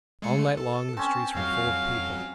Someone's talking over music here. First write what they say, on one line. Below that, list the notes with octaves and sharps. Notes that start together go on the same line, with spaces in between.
All night long the streets were full of people.
G#3 A3 C#7
A4
C4 C#4 A5
F2 F#3 F5